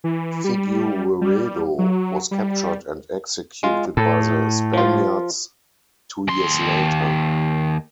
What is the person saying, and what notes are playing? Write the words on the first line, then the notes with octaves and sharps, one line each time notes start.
Figueredo was captured and executed by the Spaniards two years later.
E3
G3
G3
F#3
G3
G#3 F4
A2 A4
F3 F4
D#2 C6